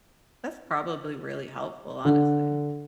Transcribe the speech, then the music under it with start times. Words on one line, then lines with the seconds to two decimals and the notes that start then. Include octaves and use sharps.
That's probably really helpful, honestly.
2.05 D3